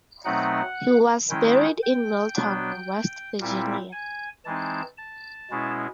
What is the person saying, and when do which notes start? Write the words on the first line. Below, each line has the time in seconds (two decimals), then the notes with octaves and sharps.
He was buried in Milton, West Virginia.
0.25 B2 F#3 A3 C4 D#4 F#5
1.30 D#3 G#3 C#4 E4 G5
1.82 G5
2.35 B2 F#3 B3 D4
3.40 A#2 G3 C4 E4
3.92 G#5
4.45 E3 G#3 C4 D#4 A5
4.98 A5
5.50 B2 G#3 C#4 E4